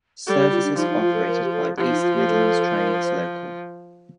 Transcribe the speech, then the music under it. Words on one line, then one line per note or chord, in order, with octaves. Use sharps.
Services are operated by East Midlands Trains Local.
G3 A4
G4
F4
D4
F3 D#4
D#4
F4
A4
A#4
G4
A4
F3 G4
D#4
F4
G4
A4
A#4
C5